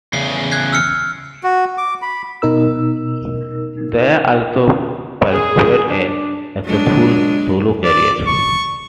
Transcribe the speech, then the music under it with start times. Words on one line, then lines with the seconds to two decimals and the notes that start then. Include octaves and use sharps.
Daye also pursued a successful solo career.
0.13 E2 C#3 C7
0.52 F#6 G#6 C7
0.72 E6 F6 C#7
1.43 F#4
1.78 D6
2.02 B5
2.42 B2 D#4 A#4 E6
5.31 G#4
5.90 D4
6.65 F#3 G#3 D4
7.84 D5
8.27 C#6